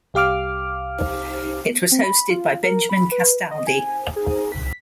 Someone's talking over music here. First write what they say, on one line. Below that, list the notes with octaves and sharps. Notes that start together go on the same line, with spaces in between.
It was hosted by Benjamin Castaldi.
C2 G4 F5 D6 F6
C4
B5
F4
A#4
B5
B4
D#5
G#5
G#4
B6